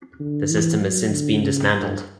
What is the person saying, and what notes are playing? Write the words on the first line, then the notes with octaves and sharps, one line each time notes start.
The system has since been dismantled.
D3
E3
F#3
D3
C#3
G2